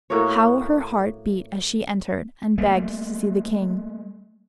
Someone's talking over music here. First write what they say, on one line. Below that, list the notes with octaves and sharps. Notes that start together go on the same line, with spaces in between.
How her heart beat as she entered, and begged to see the king!
A2 A#3 F#4 C#5
G3 A3 A#3